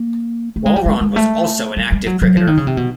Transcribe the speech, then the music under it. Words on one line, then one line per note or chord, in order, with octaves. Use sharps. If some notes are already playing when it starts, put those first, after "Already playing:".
Walrond was also an active cricketer.
Already playing: A#3
A3
G#3
G3
G#3
G#3
A3
G3
G3
F#3
F#3
F3
D#3
C#3
C3
B2